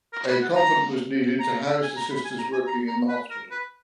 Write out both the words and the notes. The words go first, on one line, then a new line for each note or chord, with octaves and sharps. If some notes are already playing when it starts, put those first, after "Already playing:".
A convent was needed to house the sisters working in the hospital.
A#4
B4
F#5
A#5
A#5
G#5
A#5
B5
G#5
A#5
G#5
A#5
A#5
B4
A#4
B4